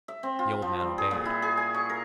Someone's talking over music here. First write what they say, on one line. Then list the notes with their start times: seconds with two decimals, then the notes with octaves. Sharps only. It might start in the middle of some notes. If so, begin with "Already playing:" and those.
The old man obeyed.
0.08 E5
0.23 C4
0.39 F4
0.62 F3
0.80 G3
0.98 G#4
1.11 A#2
1.25 E4
1.42 G#4
1.57 G#5
1.74 C#6
1.90 A#4